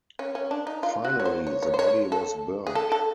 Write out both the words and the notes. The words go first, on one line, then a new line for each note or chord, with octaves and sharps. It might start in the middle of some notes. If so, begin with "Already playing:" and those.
Finally, the body was burned.
C#4
C#4
D4
D#4
F4
F#4
C#5
C5
C#5
C#5
C5
C#5
A4
G#4
A4
A4